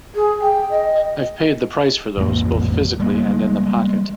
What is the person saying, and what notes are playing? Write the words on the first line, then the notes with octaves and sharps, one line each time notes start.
I've paid the price for those, both physically and in the pocket.
G#4
G5
D#5
A1 F2 G#3 A#3
G3 G#3 A#3